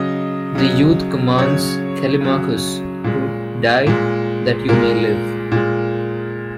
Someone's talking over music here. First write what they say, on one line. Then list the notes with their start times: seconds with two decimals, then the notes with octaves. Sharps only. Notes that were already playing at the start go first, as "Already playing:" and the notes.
The youth commands Callimachus to, die, that you may live.
Already playing: C#3 F#3 D#5
0.55 C#3 F#3
1.38 C#3 F#3 C#5
2.21 C#3 F#3
3.04 A#2 G#3
3.87 A#2 G#3
4.69 A#2 G#3 A#4
5.52 A#2 G#3